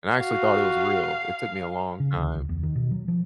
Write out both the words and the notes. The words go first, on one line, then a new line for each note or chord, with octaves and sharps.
And I actually thought it was real. It took me a long time
F#4 F5
C#3
D2
C#2
E2
D#3
B2
F#3
F3